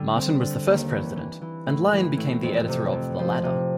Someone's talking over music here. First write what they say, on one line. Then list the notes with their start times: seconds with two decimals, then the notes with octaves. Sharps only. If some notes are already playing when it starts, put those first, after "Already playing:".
Martin was the first president and Lyon became the editor of "The Ladder".
Already playing: D3 G3
0.15 C4
0.40 D3
0.66 D#2
0.91 E3
1.16 E3
1.41 E3
1.66 A2
1.92 E3
2.17 A2
2.43 F2
2.68 C3
2.92 F2
3.19 F3
3.43 C3